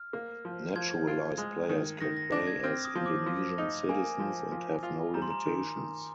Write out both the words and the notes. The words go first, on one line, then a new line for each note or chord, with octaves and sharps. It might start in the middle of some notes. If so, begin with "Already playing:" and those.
Naturalized players can play as Indonesian citizens and have no limitations.
Already playing: F6
A#3
F3
F3 G#6
F4
G#3
D#3
D#3 A#6
A#6
D4 A#6
G#6
C4 F6
D#6
F3
D6
F3
D#4
A#3 G#5
F3
F3
F4
G3 A#5
C6
A#5
D#3
D#3